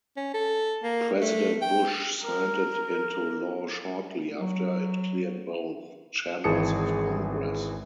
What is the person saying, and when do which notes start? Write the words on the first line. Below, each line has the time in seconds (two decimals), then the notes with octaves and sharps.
President Bush signed it into law shortly after it cleared both chambers of Congress.
0.17 C#4
0.34 A4
0.84 A#3
1.21 A3
1.62 G5
2.23 A#4
4.41 F#3
6.44 G#1 E3 G#4 A5 D#6 C#7